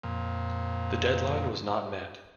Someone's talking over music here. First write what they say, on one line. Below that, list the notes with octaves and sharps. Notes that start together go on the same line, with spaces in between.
The deadline was not met.
F2 A#2